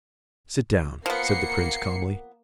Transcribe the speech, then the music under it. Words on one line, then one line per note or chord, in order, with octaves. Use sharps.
"Sit down," said the Prince calmly.
F3 A#3 B3 C7 C#7